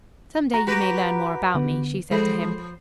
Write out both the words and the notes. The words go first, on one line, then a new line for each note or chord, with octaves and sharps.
'Some day you may learn more about me,' she said to him.
F#4 A#5
F#4 G4 B4
D3 B3
F3 G#3 A4 C5